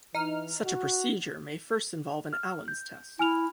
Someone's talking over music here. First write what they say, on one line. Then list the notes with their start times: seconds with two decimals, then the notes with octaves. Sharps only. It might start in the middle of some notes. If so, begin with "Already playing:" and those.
Such a procedure may first involve an Allen's test.
0.15 E3 D#4 F6
0.64 F#4
2.33 F6
2.68 G6
3.19 E4 G#5 F6 F7